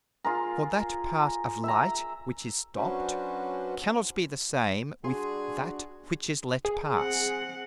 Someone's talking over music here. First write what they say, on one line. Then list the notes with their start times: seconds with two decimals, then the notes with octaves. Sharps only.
For that part of Light which is stopp'd cannot be the same with that which is let pass.
0.24 F4 G#4 A#4
1.64 E5 A#5
2.76 F#3 C#4 D4 F#4 B4 C5
5.04 G3 D4 F#4 G#4 C6
6.65 G#4
6.98 C4 F#5